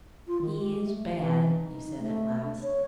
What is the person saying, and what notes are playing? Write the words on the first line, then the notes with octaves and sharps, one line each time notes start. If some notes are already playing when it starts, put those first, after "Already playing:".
"He is bad," he said at last.
F4
D#3
G4
A3
E3
D#4
A3
D4
C#5